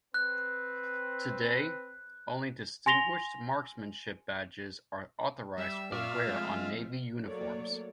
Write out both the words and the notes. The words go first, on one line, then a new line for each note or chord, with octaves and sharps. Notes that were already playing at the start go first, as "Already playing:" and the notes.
Today, only Distinguished Marksmanship Badges are authorized for wear on Navy uniforms.
C4 B4 F#6
G#5 C6 A#6 F7 G7
G3 E5
A#2 F4 D5 E5 F5 C#6
F3 G#3 A3 C4
F#3 A3 A#3 A4 C#5 D5